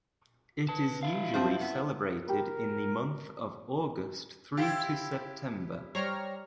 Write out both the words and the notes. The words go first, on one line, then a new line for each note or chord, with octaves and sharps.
It is usually celebrated in the month of August through to September.
B4 A5
E4 F5
F3 C4
B3
G4 A#4 B5
E4 F4 G4 C5 G5
G3 C5 C#5 G5 A#5 C6 F6